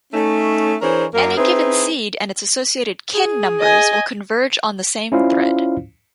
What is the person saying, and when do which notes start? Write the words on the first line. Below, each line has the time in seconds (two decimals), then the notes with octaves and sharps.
Any given seed and its associated kin numbers will converge on the same thread.
0.14 A3 C#4 D#4
0.82 E3 D4 G#4 A#4 C5 C#5
1.13 F#2 A#3 A#4
1.37 C4 D#4 E4 G#4 B4
3.14 G#4
3.60 D#5 G#5
5.12 C#4 E4 F4 C5 D5 F5